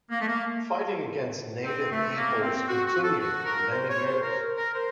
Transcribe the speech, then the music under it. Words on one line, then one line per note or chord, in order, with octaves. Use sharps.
Fighting against native peoples continued for many years.
A#3
A3
A#3
C4
A3
A#3
C4
F#4
F#4
A4
F#4
A#4
C5
C#5
C5
A#4
A#4
C5